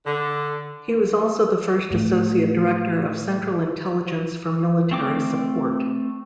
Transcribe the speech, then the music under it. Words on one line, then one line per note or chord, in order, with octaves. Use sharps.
He was also the first Associate Director of Central Intelligence for Military Support.
D3
A2 D3
A3 C4 D6